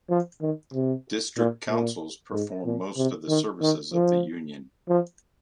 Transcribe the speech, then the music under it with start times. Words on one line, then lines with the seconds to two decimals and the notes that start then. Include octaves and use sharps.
District councils perform most of the services of the union.
0.10 F3
0.41 D#3
0.74 C3
1.38 A#2
1.70 A#2
2.33 G#2
2.65 A#2
2.98 C3
3.29 D#3
3.62 D#3
3.93 F3
4.89 F3